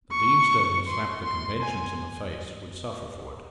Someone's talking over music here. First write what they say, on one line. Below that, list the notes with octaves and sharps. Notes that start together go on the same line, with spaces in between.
The Deemster who slapped the conventions in the face would suffer for it.
C#6
C6
C6
G#5